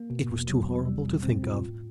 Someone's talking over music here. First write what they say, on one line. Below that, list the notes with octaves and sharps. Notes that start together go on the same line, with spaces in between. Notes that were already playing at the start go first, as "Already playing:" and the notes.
It was too horrible to think of.
Already playing: A#3
B2
E2
F#3
E2
G3
B2
C4
F4
A2